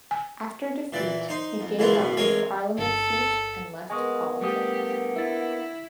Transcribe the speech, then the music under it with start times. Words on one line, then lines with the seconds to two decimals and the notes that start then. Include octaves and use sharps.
After defeat he gave up his parliament seat and left politics.
0.11 G#5
0.93 A#2 E3 D5
1.29 D#4 C5
1.61 F2
1.79 E3 F#3 G#3 A3 E4 F4
1.95 A1 F#2 B2
2.17 A1 G#3 C4 A#4 C#5 G#5
2.78 G1 A4
3.90 G#3 A#3 B3 G#5 C#6 D#6
4.41 D3 G3 A3 G4 D#6
5.16 E4 E5 A6